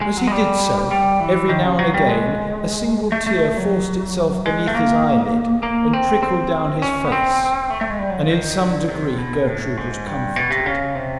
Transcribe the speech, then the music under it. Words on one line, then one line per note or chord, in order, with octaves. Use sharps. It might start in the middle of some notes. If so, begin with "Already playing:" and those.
As he did so, every now and again a single tear forced itself beneath his eyelid and trickled down his face, and in some degree Gertrude was comforted.
G#3
F#3
G#3
G3
G3
E3
D#3
C#3
F#3
G3
G#3
A3
A3
F#3
G#3
A3
A#3
A#3
C4
C4
C#4
B3
C4
A3
A3
G#3
G3
F#3
F3
D#3
D3
C3
B2
A2
G#2
G2
B2
C3
C#3
C3